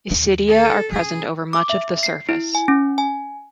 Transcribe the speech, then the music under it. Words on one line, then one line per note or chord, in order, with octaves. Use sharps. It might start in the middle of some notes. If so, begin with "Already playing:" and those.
Isidia are present over much of the surface.
D#2 D#3
A4
C3 C#4 G#4
D6
E5
C7
E4
G#5
C#4
G#5